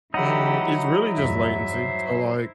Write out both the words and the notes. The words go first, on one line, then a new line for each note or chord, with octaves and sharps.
Mm, it's really just latency so, like,
E3 F#3 D#4 E4 G4 F#5
E2 G2 E5
C5